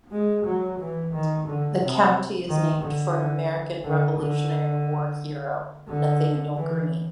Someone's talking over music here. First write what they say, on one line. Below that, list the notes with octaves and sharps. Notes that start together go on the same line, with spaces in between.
The county is named for American Revolutionary War hero Nathanael Greene.
G#3
F#3
E3
D#3
D3
C3
D#3
D3
D3
D3
D3
E3